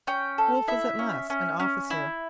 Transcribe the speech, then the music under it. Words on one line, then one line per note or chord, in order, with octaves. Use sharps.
Wolfe was at last an officer.
C#4 G5
A4
E4 E5
C#4
C#4
C#4
E4